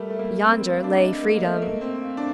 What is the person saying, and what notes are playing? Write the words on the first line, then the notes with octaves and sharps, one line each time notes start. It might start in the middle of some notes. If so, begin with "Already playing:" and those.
Yonder lay freedom!
Already playing: G3 A3 A#4
A3
A#3
C4 A#4
F5
D4
D#5
A#3
A#3
A3
A#3
C4
F5
D4